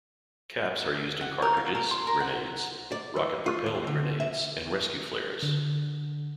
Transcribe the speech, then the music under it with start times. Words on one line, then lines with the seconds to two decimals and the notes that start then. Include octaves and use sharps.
Caps are used in cartridges, grenades, rocket-propelled grenades, and rescue flares.
1.21 F#5
1.42 A#4
1.57 F5
1.75 A#4
1.91 C6
2.07 A#4
2.20 F#5
2.92 D5
3.16 E3
3.46 F4
3.66 D#2
3.87 D3
4.20 E5
5.42 D3